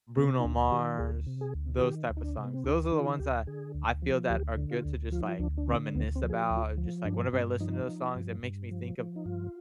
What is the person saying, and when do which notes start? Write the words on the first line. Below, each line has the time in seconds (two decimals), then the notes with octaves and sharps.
Bruno Mars, those type of songs. Those are the ones that I feel that are good to just, like, reminisce about, and just, like, whenever I listen to those songs, it makes me think of
0.17 C3 B3
0.39 D#4
0.44 D2 D4
0.71 D#3 G4
0.99 D2 G#4
1.27 C3
1.41 G#4
1.54 D2
1.77 F4
1.82 D#3 G4
2.09 D2
2.17 D#4
2.23 D4
2.37 C3
2.44 B3
2.54 C4
2.64 D2 D4
2.92 D#3 D#4
3.00 F4
3.06 D#4
3.19 D2 G4
3.47 D3 G#4
3.74 D2
4.02 F3
4.30 D2 G4
4.57 D3
4.71 F4
4.85 D2
5.12 F3 F4
5.21 D#4
5.29 F4
5.39 D2 D4
5.58 D4
5.67 D3 C4
5.95 D2 B3
6.16 C4
6.22 F3
6.30 G#4
6.36 G4
6.50 D2
6.56 F4
6.78 F3
7.05 G2 D4
7.33 G2 C4
7.60 F3 D#4
7.88 F3
8.15 G2
8.43 G2
8.71 F3
8.98 F3
9.16 D#4
9.25 G2 F4